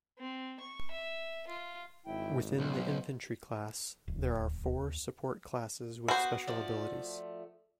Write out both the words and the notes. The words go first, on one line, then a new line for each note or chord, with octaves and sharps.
Within the infantry class, there are four support classes with special abilities.
C4
C#6
E5
F4
G#1 E4 G5
B1 C5
D1 D#2
B3 F#4 C5
F3 A3 D5